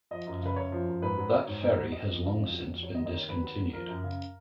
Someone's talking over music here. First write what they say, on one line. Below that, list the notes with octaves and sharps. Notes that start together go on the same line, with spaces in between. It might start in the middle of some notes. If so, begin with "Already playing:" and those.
That ferry has long since been discontinued.
F3 D#5
F#2
C#3 B4
F#2 C#5
F3
F#2
G#2 B4
F#3
F#3
G#2 C#5
G#2
F#3
F#3 D#5
F2
C#3
F2
F#3
F2
F#3 C#5
D#5
D#2
D#5
D#3 C#5
D#2 B4
F#3
D#2
F3 A#4
F#2
C#3